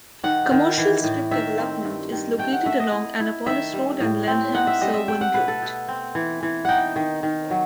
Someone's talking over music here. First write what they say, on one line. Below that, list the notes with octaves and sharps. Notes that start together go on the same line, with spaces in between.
Commercial strip development is located along Annapolis Road and Lanham-Severn Road.
D#3 F#5
D#3
E3
A2
D#3 E5
C4
G2
D#3
A3 G5
F#5
A3 E5
D#5
E4
E4
D#3 E5
G3
A2
C4
D#4 F#5
E5
G3 D#5
E5
A3 G5
F#5
B2 B4
A4
B2
C4
E3
E3
D#4 F#5 G5
D#3
D#3
F#3